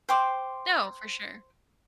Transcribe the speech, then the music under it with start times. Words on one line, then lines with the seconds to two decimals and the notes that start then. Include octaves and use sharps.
No, for sure.
0.09 C5 G5 C6 D6